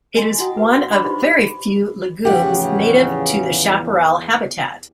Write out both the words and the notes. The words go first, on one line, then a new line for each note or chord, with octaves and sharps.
It is one of very few legumes native to the chaparral habitat.
D#5 G#5 C6
E4 F#4 F#5 G5 D#6
G#4 B4
C6
D4 E4 D#5 B5 C#6 D6
D#4 F4 G4 B4 C5 D5
E2 A2 C#3 F3 G4 F#5